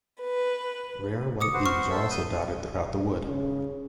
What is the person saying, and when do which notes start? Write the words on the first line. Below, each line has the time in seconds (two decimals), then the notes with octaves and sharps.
Rare whitebeams are also dotted throughout the wood.
0.22 B4
1.41 D6 D#6 C#7
1.54 F#4 B4 C5
1.66 C#6 F6
1.90 A4 C5 E5
2.11 B4 D#6 G6
3.26 C#3